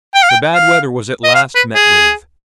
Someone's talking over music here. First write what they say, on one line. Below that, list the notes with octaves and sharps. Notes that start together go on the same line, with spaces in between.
The bad weather was at last met with.
G5
F5
G5
F5
D#5
F5
B4
G#4